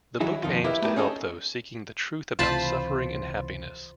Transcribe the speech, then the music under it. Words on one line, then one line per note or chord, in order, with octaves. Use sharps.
The book aims to help those seeking the truth about suffering and happiness.
D#3 F#3 D#4 E4 G#4
F2 D#3 F4
E4 G4 A#4 B4 D#5 E5
A3 B3 D#4 E4 G4 A#4
C#4 D#4 G#4 A4 D#5 G5
C#2 C3 E3 F4 C5 A5 B5